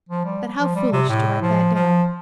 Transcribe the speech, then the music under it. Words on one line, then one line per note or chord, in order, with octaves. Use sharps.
But how foolish to write that down!
F3
G3
F3
G3
C3
A2
F3
F3